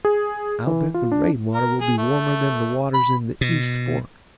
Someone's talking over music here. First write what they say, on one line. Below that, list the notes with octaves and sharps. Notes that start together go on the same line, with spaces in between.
I'll bet the rainwater will be warmer than the waters in the East Fork.
G#4
E3
F4
D4
A#4
G#4
A3
B5
B2